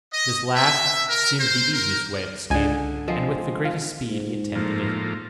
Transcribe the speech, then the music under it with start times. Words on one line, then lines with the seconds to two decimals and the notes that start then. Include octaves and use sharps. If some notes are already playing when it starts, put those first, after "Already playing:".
This last seemed the easiest way of escape, and with the greatest speed he attempted it.
0.11 D#5
0.55 E5
1.08 A#4
1.38 C5
1.73 A#4
2.50 C#2 D3 D#5 G#5
3.08 F3 G#3 C4
3.65 F4
4.08 G#2
4.56 A2 F3 A#3